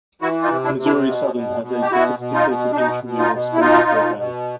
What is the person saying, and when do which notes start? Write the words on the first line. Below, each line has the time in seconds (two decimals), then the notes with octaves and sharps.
Missouri Southern has a sophisticated intramural sports program.
0.22 E3 E4 F#4
0.42 D#4 F4
0.51 C3
0.64 D4 E4
0.78 C3
0.85 D4 E4
1.07 B2
1.35 B2
1.62 B2
1.82 G4
1.91 B2 E4 F#4
2.19 B2
2.34 D#4 F4
2.48 B2
2.72 D4
2.76 B2 D#4
3.04 B2
3.18 D#4 F4
3.33 B2
3.53 E4
3.60 B2 D#4 F4
3.89 B2
4.17 B2